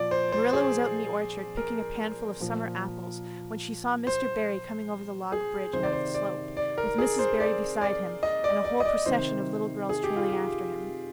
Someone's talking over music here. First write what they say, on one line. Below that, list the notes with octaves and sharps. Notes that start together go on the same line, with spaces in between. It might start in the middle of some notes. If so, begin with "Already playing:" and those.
Marilla was out in the orchard picking a panful of summer apples when she saw Mr. Barry coming over the log bridge and up the slope, with Mrs. Barry beside him and a whole procession of little girls trailing after him.
Already playing: A#2 F3 D5
C5
C5
G#4
A#4
A#2 F3
C5
G#4
C3 D#3 C5
D5
C5
D5
D5
A#4
G#4
C5
D5
D5
D#5
D5
D5
D#5
D5
C3 D#3 C5
G#4
G4
F4
G4